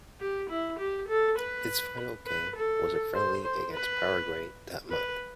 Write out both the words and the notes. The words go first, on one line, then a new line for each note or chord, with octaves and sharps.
His final game was a friendly against Paraguay that month.
G4
E4
G4
A4
B4
B4
A4
C5
C5
B4
B4